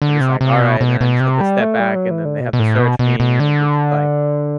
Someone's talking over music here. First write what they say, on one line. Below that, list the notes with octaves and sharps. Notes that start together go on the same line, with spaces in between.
I'm just like, "Alright," and then I just have to step back, and then they have to search me, and there's, like
D3
C3
C3
B2
B2
B2
C3
G3
A3
G3
F#3
E3
D3
B2
B2
A2
B2
B2
B2
D3